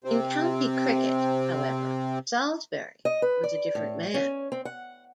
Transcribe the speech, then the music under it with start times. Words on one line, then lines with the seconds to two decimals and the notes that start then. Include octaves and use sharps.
In county cricket, however, Salisbury was a different man.
0.04 C3 C4
3.05 D#5
3.22 B4
3.43 D5
3.75 A2
4.14 C#4
4.52 C4
4.65 F#5